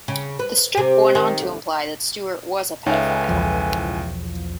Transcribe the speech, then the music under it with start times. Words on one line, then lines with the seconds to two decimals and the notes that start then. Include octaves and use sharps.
The strip went on to imply that Stewart was a pedophile.
0.08 C#3
0.39 B4
0.77 C3
1.15 D#3
1.41 D2
2.86 C#2 D#4 A4 B4 C#5 E5 F5 G#5
3.29 B1 E2 F3